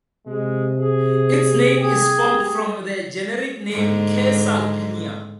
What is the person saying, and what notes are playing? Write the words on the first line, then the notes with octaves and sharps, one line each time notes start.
Its name is formed from the generic name "Caesalpinia".
C3 G#3
G#4
G4 G#4
G#2 D3